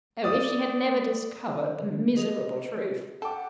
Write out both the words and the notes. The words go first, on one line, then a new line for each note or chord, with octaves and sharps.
Oh, if she had never discovered the miserable truth!
D5 D#6
G#4 D#5 F7
A4 F#5 G5 A5 D6